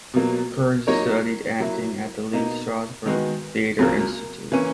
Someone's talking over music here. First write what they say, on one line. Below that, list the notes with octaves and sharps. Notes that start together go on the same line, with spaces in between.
Curtis studied acting at the Lee Strasberg Theatre Institute.
B2 F#3 A#3
F#3 A#3 D#4 A#4 C#5
F#3 A#3 E4
B2 A#3 D#4
D#3 G#3 B3 F#4
C#2 C#3 F#3 A#3
E3 A#3 C#4